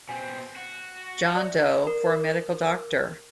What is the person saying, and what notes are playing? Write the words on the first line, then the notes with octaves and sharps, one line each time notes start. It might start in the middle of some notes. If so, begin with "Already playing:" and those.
John Doe' for a medical doctor.
B2 C4 G#5
F#4
D5 E5
A#4